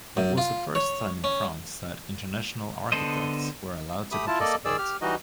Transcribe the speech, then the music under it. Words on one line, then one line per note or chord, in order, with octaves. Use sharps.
It was the first time in France that international architects were allowed to participate.
F#2
F4
C#5
C#4
D3 B3 A4 C5 D#5
A3 G4 B5 D#6
E4 F4 A5
A#3 A4 D5 D#5
D#3 G#4 D5 E6
G4 F6
E3 G3 D#4 F#4 D#5